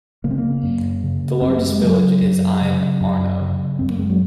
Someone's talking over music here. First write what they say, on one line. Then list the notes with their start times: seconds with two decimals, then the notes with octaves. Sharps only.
The largest village is Ine, Arno.
0.24 C#3 A#3
0.31 C4
0.38 A#3
0.63 F#2
1.03 C#3
1.42 F#2 C4
1.55 A#3
1.69 G#3
1.82 C#3 F#3
2.22 F#2
2.62 C#3
3.01 F#2
3.40 C#3
3.79 F#2 C4
3.90 A#3
3.99 G#3
4.09 F#3